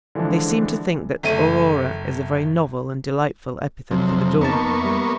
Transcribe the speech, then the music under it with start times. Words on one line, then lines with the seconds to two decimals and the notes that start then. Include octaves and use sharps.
They seem to think that 'Aurora' is a very novel and delightful epithet for the dawn.
0.15 D3 E3 F3 G#3 D4
1.23 F#1 A3 D#7
3.91 F2 C3 F#3
4.41 F2 A#3 B3 D#4 A5 C#6
4.82 G3 E5